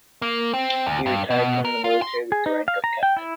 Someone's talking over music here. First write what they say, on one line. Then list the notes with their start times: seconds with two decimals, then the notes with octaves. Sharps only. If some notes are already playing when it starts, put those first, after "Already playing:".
He retired from the military with the rank of captain.
0.22 A#3
0.54 C4
0.87 D2
1.06 G2
1.30 B2
1.65 A#4
1.84 F4
2.02 C6
2.32 G#4
2.46 D#4
2.68 F5
2.84 A#5
3.03 G5
3.17 E4